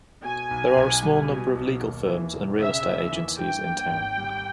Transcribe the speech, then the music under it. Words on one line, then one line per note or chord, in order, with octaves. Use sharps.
There are a small number of legal firms and real estate agencies in town.
B2 G#5
B1
B1
G3
B2
B1
D#2
E3
E1
C#3 E5
D#2
E3
G2 G5
A#3
G#1
G3